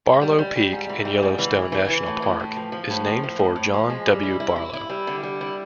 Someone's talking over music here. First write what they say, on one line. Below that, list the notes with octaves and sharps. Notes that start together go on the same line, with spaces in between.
Barlow Peak in Yellowstone National Park is named for John W. Barlow.
G#2
G3
G3
G3
G#2
E3
G3
G#2
E3
E3
E3
E3
A2
A2
A2
F3
F3
A2
F3
A2
A2
A2
F3
G#3
G3
E4
E4
E4
E4
G3
D3
G3
E4